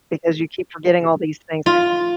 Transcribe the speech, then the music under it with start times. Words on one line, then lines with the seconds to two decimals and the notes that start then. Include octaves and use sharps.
Because you keep forgetting all these things.
1.66 F4